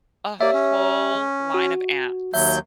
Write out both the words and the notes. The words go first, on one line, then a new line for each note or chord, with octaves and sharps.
a whole line of ants
A#3 G4 C#5 D5 E5
C#4
F#4
D#2 F#3 E5 G6